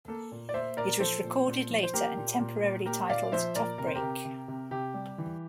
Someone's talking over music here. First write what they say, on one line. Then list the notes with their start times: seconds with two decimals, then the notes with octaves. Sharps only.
It was recorded later and temporarily titled "Tough Break".
0.08 A#3 A4
0.32 A#2
0.49 D5
0.54 A#3 C5 E5
0.77 A#2 A#4 D5
1.00 F3 A4 C5
1.24 A#2
1.47 A#2
1.70 F3
1.83 C5
1.94 A#3 G4 A#4
2.17 A#2
2.39 A#2
2.63 A#2
2.86 A#3 G4 A#4
3.09 A#2 D5 F5
3.32 F3 C5 E5
3.55 A#2 A#4 D5
3.78 C3 A#4
3.87 C5
3.95 G4 A#4
4.02 C3
4.25 C3
4.48 C3
4.71 C3 G4
4.94 G3
5.18 E3